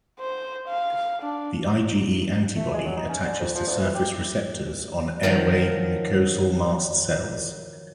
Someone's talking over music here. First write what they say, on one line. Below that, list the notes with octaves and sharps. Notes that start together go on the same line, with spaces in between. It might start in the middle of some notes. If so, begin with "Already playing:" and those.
The IgE antibody attaches to surface receptors on airway mucosal mast cells.
C5
F5
D4
A3
G#3
F#3
D#4
C#4
D3
F2
F3
D2
E3
G4
D#3 F3 F#3